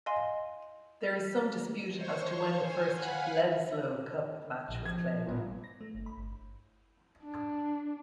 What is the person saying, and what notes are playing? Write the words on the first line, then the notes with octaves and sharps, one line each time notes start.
There is some dispute as to when the first Bledisloe Cup match was played.
D#5 F5 G#5 C6
C5 C#5 C#6
C5 C#5 G#5
F5 F#5 G#5 B5
A#1
F3 G#6
G#1 A#2 G3 B3
A#6
A3
G1
B5
G1
D4